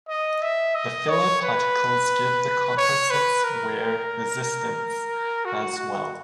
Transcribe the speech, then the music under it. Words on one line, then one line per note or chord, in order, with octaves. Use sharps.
The filler particles give the composites wear resistance as well.
D#5
E5
D#5
C#5
B4
C#5
B4
A#4
F#4
F#4